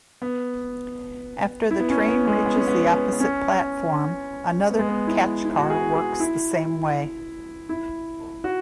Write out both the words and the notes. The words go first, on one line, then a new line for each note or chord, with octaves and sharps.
After the train reaches the opposite platform, another catch car works the same way.
B3
E4
B3
C#4
B3
G#3
B3
C#4
B3
B3
C#4
B3
G#3
B3
E4
E4
F#4
G#4
G#4
E4
E4
F#4